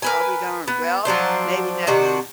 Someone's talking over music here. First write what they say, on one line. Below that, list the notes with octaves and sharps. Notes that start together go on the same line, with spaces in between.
I'll be darned. Well, maybe that's
A#4 B4 G#5
B3
F3 F#3 D4 C5
C3 D#3 D4 F#4